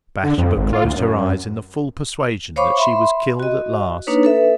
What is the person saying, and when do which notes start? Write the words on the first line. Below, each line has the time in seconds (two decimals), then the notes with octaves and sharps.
Bathsheba closed her eyes in the full persuasion that she was killed at last.
0.23 D3
0.38 F2
0.56 G#1
0.73 F4
0.84 D2
0.96 F#2
2.56 C5 C#5 F5 B5 C#6 D6
2.77 E5 B5 C6
3.40 F#4 D#5
4.07 A#3 D4 D#4 B4 C#5
4.23 A4 B4 E5